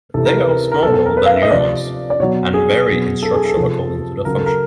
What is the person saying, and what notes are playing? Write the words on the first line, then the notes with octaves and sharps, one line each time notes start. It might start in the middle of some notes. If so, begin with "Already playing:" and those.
They are smaller than neurons, and vary in structure according to their function.
C3 E3 A4
A#4
B4
A#4
A#4
B2 F#3 A4
A4
A#4
B4
F5
E5
D#5
C3 F3 D5
D5
B2 F#3 C#5
G#4
B2 F#3
A4
G#4
A4
C3 F3
C#3 F#3 A#4
A4
A#4